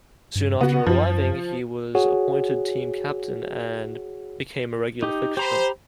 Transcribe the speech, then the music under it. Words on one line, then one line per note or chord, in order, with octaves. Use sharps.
Soon after arriving, he was appointed team captain, and became a regular fixture.
G2
C#3 B3 F#4
F#2 F3
F#4 G#4 C#5 F#5
D#4 G4
G4 C5 A#5 B5